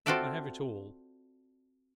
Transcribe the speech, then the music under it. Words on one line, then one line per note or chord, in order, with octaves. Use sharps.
I have it all.
C4 F4 F#4 A4 D5 E5